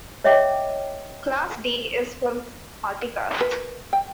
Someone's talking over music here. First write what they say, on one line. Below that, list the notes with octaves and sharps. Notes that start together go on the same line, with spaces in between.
Class D is for multicast.
C#5 D#5 E5 G5 D6
A#4 B4
G5